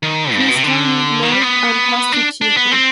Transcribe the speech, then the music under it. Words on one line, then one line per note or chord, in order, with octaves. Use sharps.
He is currently married and has two children.
D#3
G2
G#2
B2
C3
D3
D#3
G3
B3
D4
D4
B3
C4